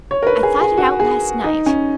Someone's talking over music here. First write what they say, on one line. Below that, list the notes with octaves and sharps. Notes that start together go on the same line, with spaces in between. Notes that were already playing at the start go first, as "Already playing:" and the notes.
I thought it out last night.
C#5
A#4
B4
G#4
G#4
F#4
G#4
D#4
C#4